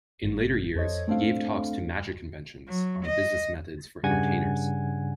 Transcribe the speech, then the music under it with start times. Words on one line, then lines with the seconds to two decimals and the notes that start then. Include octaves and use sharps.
In later years he gave talks to magic conventions on business methods for entertainers.
0.22 G#1 G2
0.75 F2 A4 C5 C#5 D#5 G#6
1.07 A3 C4 D4 A4 C5 F5
2.68 F#3
3.05 D#5
4.03 G2 C#3 G3 F#5 G#5 G#6